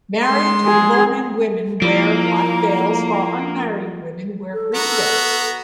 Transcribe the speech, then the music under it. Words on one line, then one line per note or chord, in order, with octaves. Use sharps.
Married Bonan women wear black veils, while unmarried women wear green veils.
G#3 C6
G#4
F3 G3 A#3 E4 C#5 A#5
A4
B3 F#4 A#5